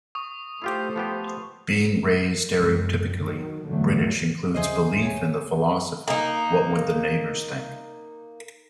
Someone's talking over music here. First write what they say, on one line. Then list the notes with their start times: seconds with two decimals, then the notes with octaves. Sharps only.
Being raised stereotypically British includes belief in the philosophy: What would the neighbours think?
0.15 C#6 D#6
0.62 A3 E4 F4 G4 A4 C5
0.96 F3 B3 G4
2.56 C#2 F#2
3.23 D#3 F#3
3.66 E2 G#2 D3 F#3 A3
4.55 D#2 C#3 G#4 C5 D#5 E5
5.02 C#5 G#5
6.08 A#3 D#4